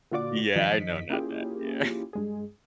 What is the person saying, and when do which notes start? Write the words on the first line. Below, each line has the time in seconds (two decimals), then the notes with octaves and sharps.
Yeah, I know, not that, yeah.
0.11 A#2 D3 F4 F#4 D5 D6
0.55 F#2 D#3 F3 D#5 B6
1.10 A#3 C#4 E4 F4 G4 G#4
2.13 G2 G#3 G#4